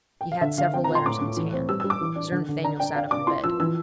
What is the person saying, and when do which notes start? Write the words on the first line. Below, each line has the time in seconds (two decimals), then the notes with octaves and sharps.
He had several letters in his hand. Sir Nathaniel sat up in bed.
0.21 G5
0.32 F5
0.41 D3 E5
0.58 D3 F5
0.74 C4 G5
0.84 A#5
0.89 A#2
0.95 C6
1.06 A2 D6
1.21 A2
1.37 E3
1.53 C4
1.69 G3 E6
1.80 E6
1.84 G3
1.90 D6
2.01 E3
2.16 D4
2.32 D3
2.49 D3
2.64 D4 A#5
2.80 D4 G5
2.95 D4 F5
3.11 D4 D6
3.27 E4 C6
3.44 F3 E6
3.60 E3 E6